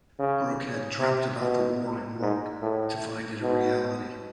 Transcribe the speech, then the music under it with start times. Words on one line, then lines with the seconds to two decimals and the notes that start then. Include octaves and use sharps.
Brooke had dreamt about the war and woke to find it a reality.
0.19 C#3
1.00 C3
1.41 B2
2.21 G#2
2.62 A2
3.42 B2